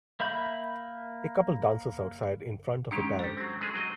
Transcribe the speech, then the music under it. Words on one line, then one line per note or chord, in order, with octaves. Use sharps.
A couple dances outside in front of a band.
A#3 E5 B5 G6
D#3 G#3 C#4 D4 G4
G4 A4 C5
F#3 C4
G#3 A3 G#4
F#3 C4 D#5